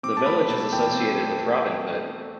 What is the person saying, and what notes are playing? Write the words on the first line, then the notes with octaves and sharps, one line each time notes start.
The village is associated with Robin Hood.
C4 D6
A5
A3 B5
B2 A5
E2 G5
C4
A3